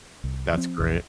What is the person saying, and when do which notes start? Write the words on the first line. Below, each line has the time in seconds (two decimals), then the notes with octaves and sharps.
That's great.
0.24 C2
0.53 F3 C4
0.80 A#1 E2